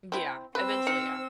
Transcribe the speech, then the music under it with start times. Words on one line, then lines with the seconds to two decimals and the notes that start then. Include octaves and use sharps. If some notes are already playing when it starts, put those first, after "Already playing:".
Yeah, eventually, yeah.
0.12 C4 E4
0.55 C4 B4 E6
0.87 D#4 C5 C#7